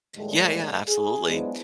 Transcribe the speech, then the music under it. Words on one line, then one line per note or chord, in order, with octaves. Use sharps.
Yeah, yeah, absolutely.
D#2 A2 D3 G3 G#3
G#4
F3 F#3 G#3 B3 D4 E4